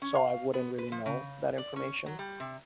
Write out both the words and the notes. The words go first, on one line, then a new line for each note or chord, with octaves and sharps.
so, I wouldn't really know that information.
C#4
F5
B3
B4
F3
C#3
D5
C#4
F#3
G3
C3